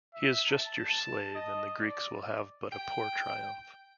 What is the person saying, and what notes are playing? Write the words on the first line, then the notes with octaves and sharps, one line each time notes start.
He is just your slave and the Greeks will have but a poor triumph.
E5
A5
D#5
D5
G5